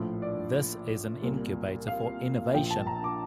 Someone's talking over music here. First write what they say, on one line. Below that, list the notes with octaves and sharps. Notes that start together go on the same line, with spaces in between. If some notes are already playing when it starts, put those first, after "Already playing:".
This is an incubator for innovation.
Already playing: A#1 A2 F3
D5
C2 A#2 G3
F5
A#1 A#2 F3 G5
A5
A#5
D6